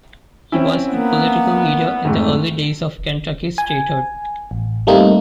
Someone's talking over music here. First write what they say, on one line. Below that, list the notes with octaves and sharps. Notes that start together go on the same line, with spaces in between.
He was a political leader in the early days of Kentucky statehood.
C4 C#4 E4
A#3 B3
F2 G#2 A3
G#5
A1
G3 A3 A#3 C4 D#4